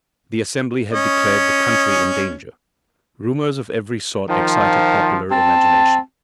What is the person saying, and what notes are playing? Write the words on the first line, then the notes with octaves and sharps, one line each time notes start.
The Assembly had declared the country in danger. Rumors of every sort excited popular imagination.
C#4 D#5
D#3 F3
C4 A5